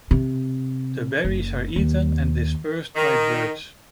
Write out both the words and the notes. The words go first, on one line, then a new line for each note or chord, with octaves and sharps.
The berries are eaten and dispersed by birds.
C3
F#1
D#2
D#3